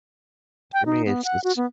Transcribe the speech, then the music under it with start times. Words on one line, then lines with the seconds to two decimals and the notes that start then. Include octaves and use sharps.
For me, it's it's
0.73 G5
0.86 D#4
1.06 B3
1.24 F#5
1.44 F#4
1.57 B3